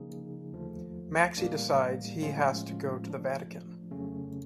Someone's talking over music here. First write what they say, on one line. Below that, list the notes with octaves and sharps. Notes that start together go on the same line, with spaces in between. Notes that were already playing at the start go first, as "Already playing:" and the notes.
Maxi decides he has to go to the Vatican.
Already playing: C#3 F3 A#3 D#4 G#4
D#2 D3 F3 A3
A2 E3 G3 A#3 D4
A2 F3 G#3 C#4 F4
F3 A3 D4
F2 C#3 F#3 A3 C#4